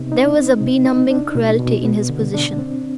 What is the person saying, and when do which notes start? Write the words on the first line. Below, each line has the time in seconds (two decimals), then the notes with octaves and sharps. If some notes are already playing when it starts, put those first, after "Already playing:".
There was a benumbing cruelty in his position.
Already playing: C3 B3 D#4
0.12 D#4
0.37 C4
0.61 C3
0.86 D#4
1.10 D4
1.35 B2
1.59 B2
1.85 B3
2.09 D3
2.34 D4
2.58 C4